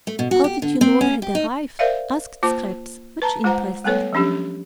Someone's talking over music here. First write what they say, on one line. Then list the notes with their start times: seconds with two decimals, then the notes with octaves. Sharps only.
"How did you know I had arrived?" asked Scraps, much interested.
0.07 A3
0.19 B2
0.31 F#4
0.44 G4
0.62 D3
0.81 C4
1.01 C#4
1.22 G4
1.35 D#4
1.79 A#4 C5 D5 E5 F5
2.43 A#3 F4 C5 A5 D6
3.22 B4 A5 A#5
3.44 G#3 F4 C5 F#5 A#5
3.84 G3 A3 B3 A4 B4 C#5
4.13 F3 F#3 C#4 D4 G4